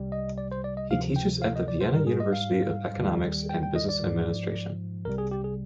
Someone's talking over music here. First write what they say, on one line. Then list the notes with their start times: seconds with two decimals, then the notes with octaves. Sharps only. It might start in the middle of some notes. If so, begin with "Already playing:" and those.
He teaches at the Vienna University of Economics and Business Administration.
Already playing: C2 C3 G3
0.12 D#5
0.38 D5
0.51 C5
0.64 D5
0.77 D#5
0.90 D2 C3 F3 F5
1.16 G5
1.42 F5
1.56 D#5
1.68 D5
1.81 C5
1.94 G#2 G3 A#4
2.07 G#4
2.20 D#5
2.33 F5
2.97 D#2 D#3 G3
3.49 G5
3.63 G5
3.76 D#5
3.89 D5
4.02 G#2 F3
5.05 C2 C3 G3 A#4
5.18 G#4
5.31 G4
5.44 G#4